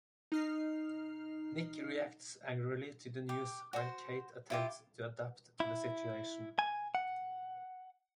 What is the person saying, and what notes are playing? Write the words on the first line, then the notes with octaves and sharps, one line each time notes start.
Nick reacts angrily to the news, while Kate attempts to adapt to the situation.
D#4 F6 C7
G4
F#4 C5
E4 F4 G4
E4
G#5
F#5